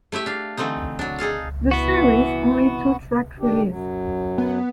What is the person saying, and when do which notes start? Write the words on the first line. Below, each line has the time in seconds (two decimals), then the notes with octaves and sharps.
The series' only two-track release.
0.12 A3 E4 G4 E5
0.26 D4 F5
0.57 D3 E3 A3 C4 D#4
0.99 F#3 D4
1.19 D#4 G#4 A4 F5
1.71 E3 B3 F#4
3.39 D#3 D4 G4
3.68 F#2 F#3
4.38 B3